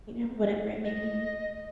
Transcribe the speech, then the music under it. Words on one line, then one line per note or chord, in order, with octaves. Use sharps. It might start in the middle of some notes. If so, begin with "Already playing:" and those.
you know, whatever it may be.
D#5